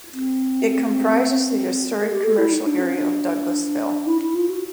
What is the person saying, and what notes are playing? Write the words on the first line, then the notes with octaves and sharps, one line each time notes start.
It comprises the historic commercial area of Douglasville.
C4
G4
A4
E4
D#4
D4
C#4
D4
E4
E4
F4
F#4